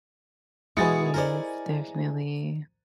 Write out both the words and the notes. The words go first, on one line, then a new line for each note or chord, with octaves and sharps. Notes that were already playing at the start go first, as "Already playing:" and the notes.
Yes, definitely,
B2 G#3 E4 G#4 G#5 A6 C#7
E4 G#4 A#4 C5 D5 D#5